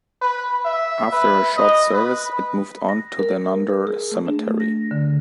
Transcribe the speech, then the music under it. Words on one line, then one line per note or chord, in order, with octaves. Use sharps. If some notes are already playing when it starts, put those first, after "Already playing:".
After a short service it moved on to the Nundah Cemetery.
B4
E5
B4
D#5
B4
A#6
A#4
G#4
A3
D4
A#6
D3